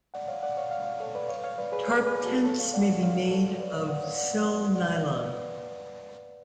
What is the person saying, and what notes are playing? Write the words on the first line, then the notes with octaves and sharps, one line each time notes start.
Tarp tents may be made of silnylon.
D5 F#5
C#5 F5
D5 F#5
C#5 F5
C#5 F5
C#5 F5
A4 C#5
B4 D5
C#5 F5
C#5 F5
B4 D5
G#4 B4
A4 C#5
G#4 B4
F#4 A4
A4 C#5
C#5 F5
D5 F#5
C#5 F5
A4 C#5
B4 D5
C#5 F5
D5 F#5
C#5 F5
D5 F#5
D5 F#5
C#5 F5
B4 D5